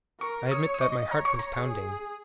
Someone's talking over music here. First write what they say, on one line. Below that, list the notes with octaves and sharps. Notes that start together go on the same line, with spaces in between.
I admit that my heart was pounding.
A#4 C#6
C#5 D#6
D#6
D#5 C#6
C#5 A#5
C#6
A#5
G#4